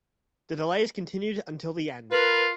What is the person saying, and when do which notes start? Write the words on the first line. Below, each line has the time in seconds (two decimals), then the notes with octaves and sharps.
The delays continued until the end.
2.12 F4 A#4 B4